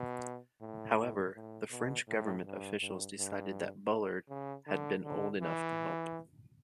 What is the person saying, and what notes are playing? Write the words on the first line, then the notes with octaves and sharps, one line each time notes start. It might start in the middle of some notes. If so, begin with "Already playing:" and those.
However, the French government officials decided that Bullard had been old enough to help.
Already playing: B2
A2
A2
B2
A2
G2
G2
G2
C#3
D3
D3
E3